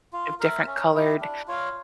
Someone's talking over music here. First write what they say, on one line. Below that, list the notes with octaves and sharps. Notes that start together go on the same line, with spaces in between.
of different colored
F4
A#4 E5
C#4
E4 G4
D4
F4 C#5 F5